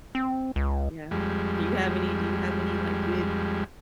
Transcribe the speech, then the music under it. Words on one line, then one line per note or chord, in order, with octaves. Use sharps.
yeah. Do you have any do you have any, like, good
C4
C#2
F2 G3 G#3